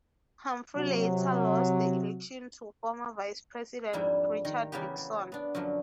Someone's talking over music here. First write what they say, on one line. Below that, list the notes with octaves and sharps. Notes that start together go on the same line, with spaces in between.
Humphrey later lost the election to former vice president Richard Nixon.
C3 F#3
F2 G#2 G3 A#3 D4 E4
D#3
C#3 E3 A#3 B3 G4
C#3
B3 D4
F#2 D3 F3 F#3